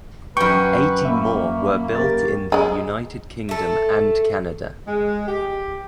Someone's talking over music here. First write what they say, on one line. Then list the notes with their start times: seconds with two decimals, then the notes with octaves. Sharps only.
Eighty more were built in the United Kingdom and Canada.
0.37 F#2 B4 G5 C#6
1.05 A#3 E5 B5
1.95 G4 A#4 A6
2.52 G#3 D#5
3.49 A3 A4
4.87 G#3
5.27 G4